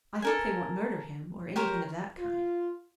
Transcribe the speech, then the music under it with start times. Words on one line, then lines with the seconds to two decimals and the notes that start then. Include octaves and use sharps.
I hope they won't murder him, or anything of that kind.
0.22 A4 A#4 G#5
1.56 G4 A#4 C5 C#5
2.18 F4